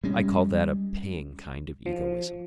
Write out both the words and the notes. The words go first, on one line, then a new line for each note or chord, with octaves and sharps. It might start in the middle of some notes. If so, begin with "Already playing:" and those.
I call that a paying kind of egoism.
G3 G#3 C#4
F3